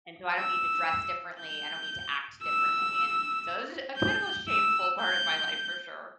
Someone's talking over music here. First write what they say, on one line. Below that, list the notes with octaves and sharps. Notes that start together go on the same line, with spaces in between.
and, so, I don't need to dress differently, I don't need to act differently, and, so this is a kind of a shameful part of my life for sure.
E6
G6
E6
G6
E6
G6